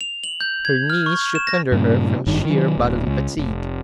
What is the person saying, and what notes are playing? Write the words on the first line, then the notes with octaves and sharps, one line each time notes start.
Her knees shook under her, from sheer bodily fatigue.
F7
F#7
G6
G#6
F6
C#6
E7
A#6
G2 A#2 C#3
G#1 G2 D#3
D#3 F#3
D1
C#2
F1